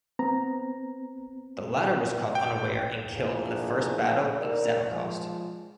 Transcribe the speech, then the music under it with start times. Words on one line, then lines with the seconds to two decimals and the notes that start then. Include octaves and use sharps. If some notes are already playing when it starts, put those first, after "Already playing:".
The latter was caught unaware and killed in the first battle at Zawichost.
0.19 B3 C4 A#5
2.35 G5
3.10 F3 A#3 B3 D4 E4 G#4
4.40 D#4 A#4 D5
4.89 F3 G#3